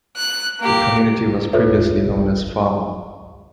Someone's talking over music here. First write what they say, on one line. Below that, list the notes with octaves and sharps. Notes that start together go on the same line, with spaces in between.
The community was previously known as Farmer.
F#6
A#3 G4
F4 A4 B4 C#5 E5